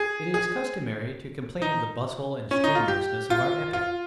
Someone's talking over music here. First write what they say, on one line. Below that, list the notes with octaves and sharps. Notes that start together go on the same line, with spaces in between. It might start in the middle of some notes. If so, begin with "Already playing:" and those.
It is customary to complain of the bustle and strenuousness of our epoch.
Already playing: G#4
G#4
D#4
C#4
D#4
F4
G4
F4
F4